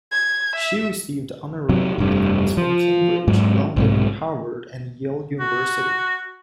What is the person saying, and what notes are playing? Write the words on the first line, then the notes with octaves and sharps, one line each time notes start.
She received honorary degrees from Cambridge, London, Harvard, and Yale universities.
G#6
E5
C3 F#3
F1 G2
F3
G#2 F#3
B1 G#2 C3
F#4